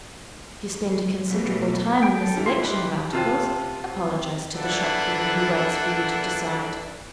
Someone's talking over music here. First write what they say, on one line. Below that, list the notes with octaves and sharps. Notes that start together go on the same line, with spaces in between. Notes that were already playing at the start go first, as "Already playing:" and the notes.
If you spend a considerable time in the selection of articles, apologize to the shopkeeper who waits for you to decide.
B2 E3 F#3 A3 A#3
G5
A4
F#2 D3 E3
E4 F4 G4 C6
E3 D#4 G4 B4 B5
C3 C4 F4 B4 A5
A#3 D4 E4 A4 B4 F#5